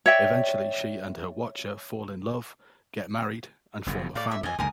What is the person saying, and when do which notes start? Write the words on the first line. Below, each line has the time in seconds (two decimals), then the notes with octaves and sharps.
Eventually she and her Watcher fall in love, get married and form a family.
0.06 C#5 D5 E5 G5
3.86 F#1 F2 B2
4.15 A2 D5 F5
4.31 E5
4.43 F2 D#5 G#5
4.59 C#2 F#2 D3 A#4 G#5 D#6